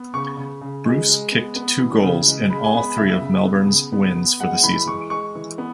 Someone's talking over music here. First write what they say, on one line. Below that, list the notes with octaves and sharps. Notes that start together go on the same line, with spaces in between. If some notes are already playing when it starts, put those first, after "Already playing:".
Bruce kicked two goals in all three of Melbourne's wins for the season.
Already playing: B3
C#3 C#6
C#3
C#3
G#3
G#3
B3
B3
E3
C#3
G#3
G#3 B5
G#5
B3 B5
C#3 E5
C#3
B3
C#3
B3
B3
G#3 F#5
E3 B5
G#3 C#6
G#3 C#6
E3
B3